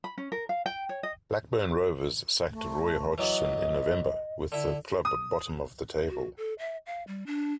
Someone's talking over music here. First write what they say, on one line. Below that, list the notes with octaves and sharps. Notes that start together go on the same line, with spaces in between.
Blackburn Rovers sacked Roy Hodgson in November, with the club bottom of the table.
B5
C#4
A#4
F5
G5
C#5
D#5
A3
E3 F#3 B3 D#5
D3 E4
D#6
F#4
A4
E5
F5
G3
D4